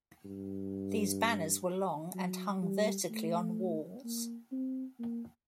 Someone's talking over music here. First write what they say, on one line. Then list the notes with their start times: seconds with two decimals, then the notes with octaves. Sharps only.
These banners were long and hung vertically on walls.
0.25 G2
2.14 F#3
2.62 G3
3.10 A3
4.04 A#3
4.52 C4
4.99 A#3